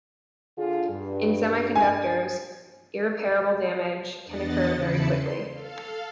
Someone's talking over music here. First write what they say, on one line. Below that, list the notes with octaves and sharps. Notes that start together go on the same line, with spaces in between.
In semiconductors, irreparable damage can occur very quickly.
D3 F4 G#4
G2
G#5
E2 B3 D4 D#5 F#5 A6
E2 C#3 E4 A5 B5 C#7
C6
A4 F5